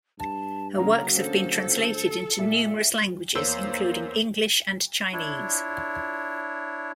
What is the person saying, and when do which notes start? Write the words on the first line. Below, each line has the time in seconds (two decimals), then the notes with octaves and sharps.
Her works have been translated into numerous languages, including English and Chinese.
0.19 G2 A5
0.77 C#3 F#3 A#3 A#5
1.16 D2 A4 C5
2.39 A#2 E5
3.35 E2 A#3 A#4 C5 C#5 E6
5.13 D4 E4 C#5